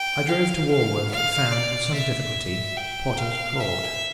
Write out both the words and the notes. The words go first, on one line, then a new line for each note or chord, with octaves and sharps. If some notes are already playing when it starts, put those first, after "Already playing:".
I drove to Walworth and found, with some difficulty, Potter's Court.
Already playing: G5
F5
F5
F5
D5
E5
G5
F5
E5